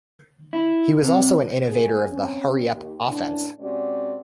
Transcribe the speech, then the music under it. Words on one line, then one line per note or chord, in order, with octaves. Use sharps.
He was also an innovator of the hurry up offense.
E4
C3
F#3 A#3 G#4
C4 C#4
D#2
A2 C#3 E3 D4
C3 G#3 C#4 F#4 D5